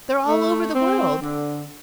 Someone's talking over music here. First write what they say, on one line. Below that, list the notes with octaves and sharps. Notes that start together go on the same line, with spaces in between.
They're all over the world.
A3
C4
D3